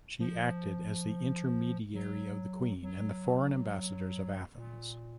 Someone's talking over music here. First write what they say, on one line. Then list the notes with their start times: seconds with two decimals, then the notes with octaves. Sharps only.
She acted as the intermediary of the queen and the foreign ambassadors of Athens.
0.20 F3
1.95 F#3
2.83 F#3
4.57 A#2